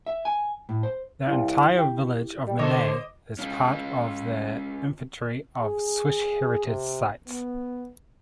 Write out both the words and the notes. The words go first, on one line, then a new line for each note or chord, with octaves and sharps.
The entire village of Montet is part of the Inventory of Swiss Heritage Sites.
E5
G#5
A2
C5
C2 E4 F4
G4
G3
D3 A4 A#4 C5 C#5 D#5 D6 A#6
C#4 F4
G#4
C3
B3